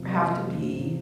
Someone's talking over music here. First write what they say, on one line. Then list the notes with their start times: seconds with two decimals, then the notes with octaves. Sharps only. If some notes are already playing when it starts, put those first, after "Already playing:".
have to be
Already playing: F2 C3 F3 A#3
0.10 A#3 D#5
0.31 F3
0.52 F2
0.72 C3